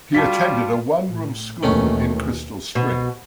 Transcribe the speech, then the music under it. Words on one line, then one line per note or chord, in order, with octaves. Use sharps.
He attended a one-room school in Crystal Spring.
G3 F4 F#4 A5 B6
A2
D#2 B2 D#3 E3 A3 C#4
B2